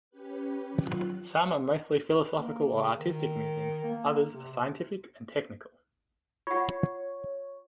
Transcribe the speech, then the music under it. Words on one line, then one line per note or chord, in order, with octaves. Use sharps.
Some are mostly philosophical or artistic musings, others are scientific and technical.
C#4 G4 B4
D#3 F#3 F4 F#6
B4
A#3
C#3
D#3
A#3
C3
C3
F4 C#5 F#5